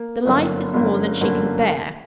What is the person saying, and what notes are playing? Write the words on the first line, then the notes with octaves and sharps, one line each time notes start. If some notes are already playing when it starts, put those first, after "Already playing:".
The life is more than she can bear.
Already playing: A#3
G1 F#2 D3 A#3
G1 F#2 D3 A#3
G1 F#2 D3 A#3